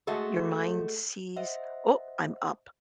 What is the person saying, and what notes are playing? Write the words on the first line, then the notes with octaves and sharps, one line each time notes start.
your mind sees, "Oh, I'm up."
G#3 A3 F#4 G#4 A4
C5 D#5 E5 F#5